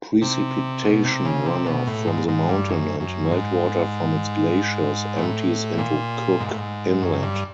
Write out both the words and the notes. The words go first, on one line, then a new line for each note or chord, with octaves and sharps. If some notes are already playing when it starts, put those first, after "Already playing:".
Precipitation runoff from the mountain and meltwater from its glaciers empties into Cook Inlet.
C3
B2
C3
C#3
C3
B2
A2
G#2
G#2
G2
F#2
F#2
G#2
A2
A#2
G#2
A2
G#2
F#2
G2